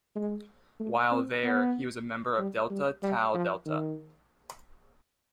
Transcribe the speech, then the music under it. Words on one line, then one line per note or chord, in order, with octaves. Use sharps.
While there, he was a member of Delta Tau Delta.
G#3
A3
C4
B3
G3
G3
G3
F3
D#3